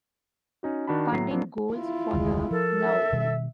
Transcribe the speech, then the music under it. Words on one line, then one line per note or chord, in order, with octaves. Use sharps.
Funding goals for the Now!
C#4 D#4 F#4
D#3 D4 F#4 A5 B5
A2 F#3 A#5 C7
F3 F#3 A#3 D4 E4
E4 F4
F1 D2 D#3 G#3
F3 A4 A#4
E5
B2 D#3 G3